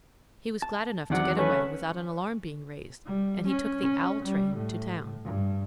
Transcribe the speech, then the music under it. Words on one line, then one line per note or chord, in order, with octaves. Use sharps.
He was glad enough to get away without an alarm being raised, and he took the "owl" train to town.
A5
E2 C3 D#3 F#3 D5 F#5
A3 C#4 B4
G3
C#4
C#4
G3
A2
G2